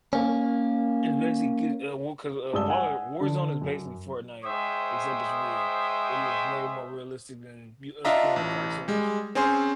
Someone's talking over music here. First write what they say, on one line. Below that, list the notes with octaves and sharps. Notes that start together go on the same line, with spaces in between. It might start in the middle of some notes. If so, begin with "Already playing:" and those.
It's basically g uh, well, 'cause, uh, War Warzone is basically Fortnite, except it's real. It looks way more realistic than you us playing on cartoons,
A#3 C#4
G2 G#3 D5 D#6 E6 G7
F#5 G#5
D3
F#2
G#3 C5 C#5 E5 G5 D#6
D4 F4 D#5 E5 A#5
A1
G3 G#3
C4 C#4 G#4 C5